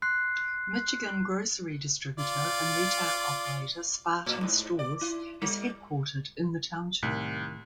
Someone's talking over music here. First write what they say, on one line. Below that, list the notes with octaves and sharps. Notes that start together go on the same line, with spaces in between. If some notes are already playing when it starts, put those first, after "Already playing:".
Michigan grocery distributor and retail operator Spartan Stores is headquartered in the township.
C6 F#6 C7
F4 D5
A2
G#2
D5
E4
G3
C2 A2 D#3 F#6 B6